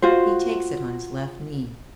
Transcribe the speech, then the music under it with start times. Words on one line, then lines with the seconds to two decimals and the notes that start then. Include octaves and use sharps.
He takes it on his left knee.
0.02 F4 F#4 C5